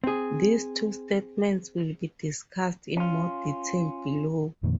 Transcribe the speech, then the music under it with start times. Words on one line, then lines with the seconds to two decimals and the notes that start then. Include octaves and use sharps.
These two statements will be discussed in more detail below.
0.04 C4 G#4
2.97 C#4 F4
4.63 F2 A#2 D#3